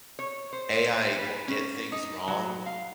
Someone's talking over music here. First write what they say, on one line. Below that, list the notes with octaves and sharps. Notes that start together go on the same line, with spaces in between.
AI will get things wrong,
C#5
C5
B4
C#4
D#4
F#3
F5